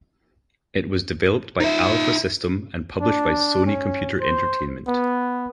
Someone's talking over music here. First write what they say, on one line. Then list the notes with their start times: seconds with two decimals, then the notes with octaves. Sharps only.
It was developed by Alfa System and published by Sony Computer Entertainment.
1.60 D#4 E5
3.01 D4
3.66 C#4
4.21 C5
4.87 B3